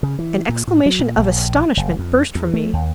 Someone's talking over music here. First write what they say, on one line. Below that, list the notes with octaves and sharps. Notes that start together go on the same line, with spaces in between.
An exclamation of astonishment burst from me.
C#3
E3
A#2
A2
F#3
A#2
A#1
F#1
F2
E2
A3
D#2